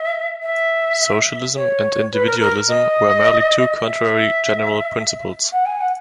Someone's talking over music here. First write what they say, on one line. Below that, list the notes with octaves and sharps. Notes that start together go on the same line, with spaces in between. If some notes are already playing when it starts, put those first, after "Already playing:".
Socialism and individualism are merely two contrary general principles.
Already playing: E5
E5
C#5
B4
A#4
A#4
D#5
E5
F#5
G#5
F#5